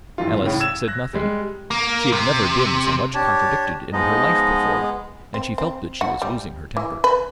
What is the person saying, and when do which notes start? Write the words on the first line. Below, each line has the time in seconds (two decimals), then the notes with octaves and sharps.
Alice said nothing: she had never been so much contradicted in her life before, and she felt that she was losing her temper.
0.18 G2 E3 F4
0.42 A2 C#3
0.60 E6 G#6 E7
0.88 F#6 A#6
1.13 G3 G#3
1.71 A#3
2.13 C3
3.14 D4 G4 C#5 A5
3.93 F3 G#3 B3 D#4 D#5
5.34 C4
5.58 C4
6.01 F#4
6.22 G3
6.77 E3
7.04 B4